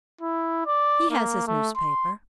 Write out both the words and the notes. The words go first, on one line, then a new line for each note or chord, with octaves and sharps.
He has his newspaper.
E4
D5
A#3
A3
C6